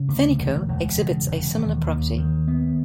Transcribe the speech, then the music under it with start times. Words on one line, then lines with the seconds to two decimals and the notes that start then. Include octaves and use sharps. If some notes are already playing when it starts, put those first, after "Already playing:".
Fernico exhibits a similar property.
Already playing: C#3
0.08 D2
0.38 E1
0.68 E1
0.98 C#3
1.28 E1
1.58 D#2
1.88 D#2
2.18 D#3
2.48 B3